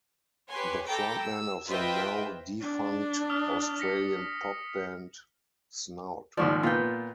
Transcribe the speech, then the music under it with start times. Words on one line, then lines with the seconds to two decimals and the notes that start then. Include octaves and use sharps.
The frontman of the now-defunct Australian pop band Snout.
0.49 G4 B4 C#5 G#5 C6
0.86 A4 G5 A#5 B5 D6
1.19 E6
1.68 F4 B4 C5 D#5 E5 G5
2.61 D4 A5
3.30 D#6 F6
3.79 A#6 B6 C#7
6.37 D#2 G#2 F3 D5 C#6
6.63 A#2 B3 F4 G5